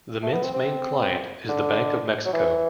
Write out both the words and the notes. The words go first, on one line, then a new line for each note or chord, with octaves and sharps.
The mint's main client is the Bank of Mexico.
A3
B3
C4
C4
D3
F#3
E3